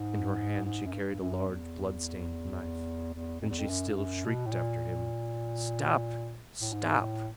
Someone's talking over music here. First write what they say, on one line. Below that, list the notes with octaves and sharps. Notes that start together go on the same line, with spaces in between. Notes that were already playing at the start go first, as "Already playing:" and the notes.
In her hand she carried a large blood-stained knife, and she still shrieked after him, "Stop! stop!"
Already playing: G#2
G#2
F#2
G2
F#2
E2
E2
F2
E2
F2
F#2
G2
F#2
B2
A2
A#2
A2
G#2
A2